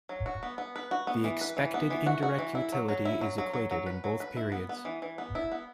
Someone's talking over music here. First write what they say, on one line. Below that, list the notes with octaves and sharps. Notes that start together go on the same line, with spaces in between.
The expected indirect utility is equated in both periods.
F#3
F#4
B3
B3
B4
F#4
B3
E3
B4
E3
B3
E3
F#4
F#4
E3
E4
F#3
F#3
E4
F#3
F#3
F#3
F#3
B4
F#3
B4
E4
B3
B3
E3
E3
B3
E4
B3